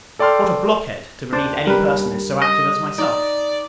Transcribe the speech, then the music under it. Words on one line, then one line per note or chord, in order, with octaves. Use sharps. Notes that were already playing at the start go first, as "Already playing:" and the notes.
What a blockhead, to believe any person is so active as myself!
A4 D5 G5 C6 F6
D#2 D4 C5 D5
G3 A#4 B4
D#5
D#4 D5